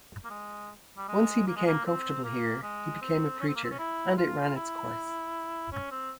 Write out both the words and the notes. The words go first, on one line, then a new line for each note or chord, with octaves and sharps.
Once he became comfortable here, he became a preacher, and it ran its course.
A#3
G#3
G3
G#3
A#3
G#3
A#3
C4
A#3
G#3
C4
C#4
C4
A#3
C4
C#4
E4
F4
E4
C#4
C4